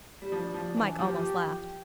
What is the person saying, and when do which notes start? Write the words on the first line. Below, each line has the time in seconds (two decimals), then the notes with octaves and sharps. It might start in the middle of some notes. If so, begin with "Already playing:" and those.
Mike almost laughed.
0.22 G3
0.32 F3 D4
0.54 F3
0.77 E3
0.99 F3 G4